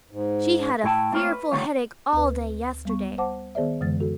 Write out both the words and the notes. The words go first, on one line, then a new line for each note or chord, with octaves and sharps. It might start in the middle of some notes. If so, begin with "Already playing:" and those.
She had a fearful headache all day yesterday.
G#2
A2 E4 G5 A5
A3 A#3 C4 F4 C5 C#5
B4
D3 D#3 G3 A3 F4 C#5
D2 B4
G3 B3 C#6
C5 F#5 A5 D6
D#3 B3 G#4 C5 D5 E5
F#2 D3 E3 G#3 A6
F#4 A4